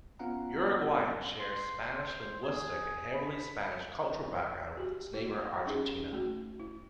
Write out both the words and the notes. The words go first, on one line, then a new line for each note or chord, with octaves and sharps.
Uruguayans share a Spanish linguistic and heavily Spanish cultural background with its neighbour Argentina.
B3 C#4 F4 F5 F#5 A#5
C6
C5
G#4
B5
F#4 G4
E4 F#4
C#4 D#4 G4 G#4
A3 F#4
E4